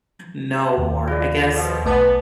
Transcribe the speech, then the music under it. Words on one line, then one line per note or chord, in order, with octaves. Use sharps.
know more? I guess,
D#2
F4 G#4 D5
B2 F3 A4
B1 A3 B3 B4 G#5 A5